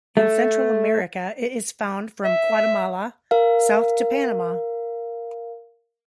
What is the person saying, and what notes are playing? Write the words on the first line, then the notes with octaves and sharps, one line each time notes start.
In Central America it is found from Guatemala south to Panama.
A3
E5
A#4 F5